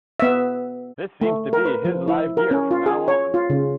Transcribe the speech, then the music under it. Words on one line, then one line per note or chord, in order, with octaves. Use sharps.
This seems to be his live gear from now on.
B3 E5
A3
A#4
B4
F3
E4
A#4
C#4
F4
G#4
C#5
F4
C#3